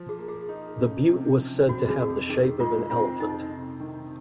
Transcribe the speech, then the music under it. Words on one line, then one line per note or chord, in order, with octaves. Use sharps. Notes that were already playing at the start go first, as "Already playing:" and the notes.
The butte was said to have the shape of an elephant.
Already playing: F3
G#4
A#3
G#4
D#4
C#3
C3
F3
C4 F#4
G#4
F2
D#3 G#4
G#3 F4
C4 F4
F2 D#4
C3
D#3